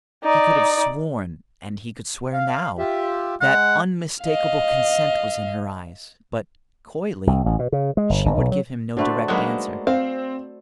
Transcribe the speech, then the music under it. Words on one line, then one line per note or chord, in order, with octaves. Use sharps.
He could have sworn, and he could swear now, that unmistakable consent was in her eyes, but, coyly, she would give him no direct answer.
D#4 D5
F5
F4 G4 E5
G#3 F#5
D#5 F5
C2
A1
B2
C#3
G#3
G1
G1
B1
F#3
D3 A3 F#4 B4 C5 D5
F#3 G#3 A#3 D#4 B4
C4 F5